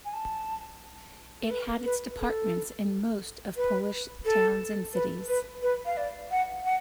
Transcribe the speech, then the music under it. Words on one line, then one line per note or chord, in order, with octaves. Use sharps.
It had its departments in most of Polish towns and cities.
G#5
A5
A4
B4
B4
A4
B4
A4
B4
B4
B4
F5
D5
F#5
F#5